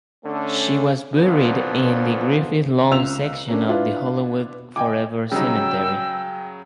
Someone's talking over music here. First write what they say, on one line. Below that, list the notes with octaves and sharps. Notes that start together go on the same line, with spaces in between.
She was buried in the Griffith Lawn section of the Hollywood Forever Cemetery.
D3 A3 C#4
B1 F2 A#2 B3 D4 C5
C#2 E6 F7
A#3 C#4 D4
D4 E4 F4 B4
D#5 G5 G#5 D6
C#3 F#3 G3 D#4 G5 E6